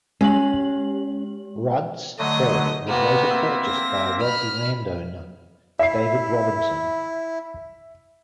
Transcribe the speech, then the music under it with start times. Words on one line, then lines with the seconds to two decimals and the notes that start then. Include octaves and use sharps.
Rudd's Ferry was later purchased by a wealthy landowner, David Robinson.
0.21 G#3 C#4 G4 F#7
2.19 D3 F#3 A3 D#5 A#6
2.88 C3 A#3 B3 F#4
3.30 A#3 C4 E5
3.65 A#6
4.21 B5 F6
5.79 E4 E5 C7